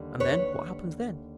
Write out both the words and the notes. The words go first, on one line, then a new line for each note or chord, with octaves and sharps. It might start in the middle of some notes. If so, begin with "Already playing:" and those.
"And then? What happens then?"
Already playing: D#2 D3 G3
B4 C#5